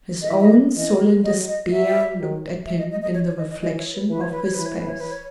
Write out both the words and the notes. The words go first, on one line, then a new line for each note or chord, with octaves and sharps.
His own sullen despair looked at him in the reflection of his face.
D#5
E3 E5
E5
D#5
E3 D#5
F#3 D#5
D#5
F#3 E5
D#3
E5
D#5
D#5
D#5
C#5
C#5
D#5
D#5
E3 D#5
C#5
B4
E3 B4
C#5
B4
C#5
E3 B4
C#5
B4
C#5
B4
C#5